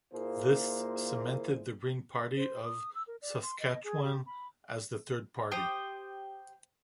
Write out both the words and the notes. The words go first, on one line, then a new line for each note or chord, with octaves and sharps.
This cemented the Green Party of Saskatchewan as the Third Party.
A#2 A#3 E4 F4 G#4 C5
C5
D#6
E6
A#4
D5
C6
D#5
G#4
G4
B5
G4 C5 G5 D#6